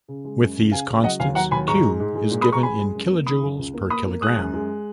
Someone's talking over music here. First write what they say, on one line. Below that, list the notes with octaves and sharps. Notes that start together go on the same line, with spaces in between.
With these constants, "Q" is given in kilojoules per kilogram.
C#3
G#3
F#2
C#3
C#3 F5 G#5
C#3
F#3 D#5 F#5
D#2 F5 G#5
F#3 F#5 A#5
D#2 G#5 B5
G#2 A#5 C#6
G#3
G#2
G#3
A#2
B5 D#6
G#3
A#5 C#6
G#3 G#5 B5
G#3
F#2
A#3
D#3 B5 D#6
F#2
C#2
A#3
A#3 B5 D#6
A#3
G#3 D#6 F#6
F#2
G#3